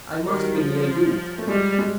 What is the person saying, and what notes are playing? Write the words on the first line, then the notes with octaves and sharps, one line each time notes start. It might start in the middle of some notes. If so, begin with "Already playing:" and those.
I must be near you.
D#3 F#3
G3
F#3
F3
A3
G3 G#3
G#3